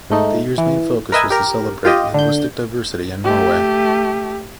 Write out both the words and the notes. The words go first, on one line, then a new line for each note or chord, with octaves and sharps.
The year's main focus was to celebrate linguistic diversity in Norway.
G#2 A3 D#4
E3
A#4 B4 D#5 E5 G#5
G4 A#4
F4 G4 D#5
D3 G6
A3 G4